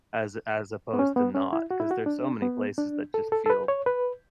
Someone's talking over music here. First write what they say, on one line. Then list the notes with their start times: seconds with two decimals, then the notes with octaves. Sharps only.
as as opposed to not 'cause there's so many places that just feel
0.93 B3
0.99 C#4
1.16 B3
1.35 C#4
1.53 E4
1.71 F#4
1.80 E4
1.91 F#4
2.06 D4
2.42 B3
2.78 D4
3.14 A4
3.32 A4
3.46 A4
3.50 B4
3.68 C#5
3.86 B4